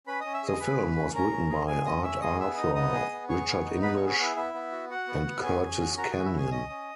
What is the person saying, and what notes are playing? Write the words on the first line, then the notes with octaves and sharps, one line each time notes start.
The film was written by Art Arthur, Richard English and Curtis Kenyon.
C#4 B4 B5
C#4 D#5 D#6
E5 E6
G#4 D#5 D#6
G#4 B4 B5
C#4
C#4
C#4 A#4 A#5
C#4
G#4
G#4 G#5
C#4 D#5 D#6
C#4 E5 E6
G#4 D#5 D#6
B3 E5 E6
E6
D#4 D#5 D#6
B3 D#5 D#6
G#4
B3
G#4 C#5 C#6
B3
D#4
B3 B4 B5
G#4 C#5 C#6
C#5 C#6
B3 E4 E5
B3 E4 E5
B3
F#4
F#4 F#5
B3
B3
C#4 G#4 G#5
C#4
F#4
F#4 A#4 A#5
G#4 G#5
C#4
E4 E5
C#4 G#4 G#5
C#4 D#5 D#6
C#4